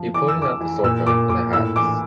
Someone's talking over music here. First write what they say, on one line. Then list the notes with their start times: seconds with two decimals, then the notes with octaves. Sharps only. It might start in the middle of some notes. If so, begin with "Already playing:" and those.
He pointed out the storefront and the hats.
Already playing: F3
0.14 E3 D6
0.28 E6
0.38 E3 D6
0.61 E3
0.83 A#2 E6
1.07 A#2 D6
1.29 A#2 D6
1.53 A2 E6
1.76 E3 D6